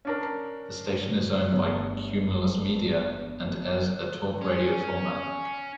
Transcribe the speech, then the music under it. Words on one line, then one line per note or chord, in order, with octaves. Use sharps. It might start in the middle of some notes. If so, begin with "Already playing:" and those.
The station is owned by Cumulus Media, and airs a Talk radio format.
C#4 D4 A#4
G1 G2 A3 C#5
C#4